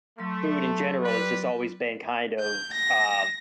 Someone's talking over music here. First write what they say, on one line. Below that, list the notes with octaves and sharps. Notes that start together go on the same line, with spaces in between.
food in general has just always been kind of, um,
F#3 A3 C6
G3 B4
G6
A#6